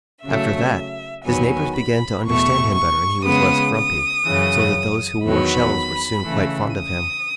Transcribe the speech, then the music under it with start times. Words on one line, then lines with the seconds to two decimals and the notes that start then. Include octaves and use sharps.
After that his neighbors began to understand him better and he was less grumpy, so that those who wore shells were soon quite fond of him.
0.24 C#3 F#3 A3 E5
1.24 E2 D#3 F#3 B3 G#5
1.74 B5
2.25 E2 B2 A3 C#6
2.74 C#6
3.24 C#3 G#3 B3 D#6
3.75 D#6
4.25 F#2 C#3 E3
5.24 E2 D#3 F#3 B3 B5
6.24 C#3 E3 A3
6.75 D#6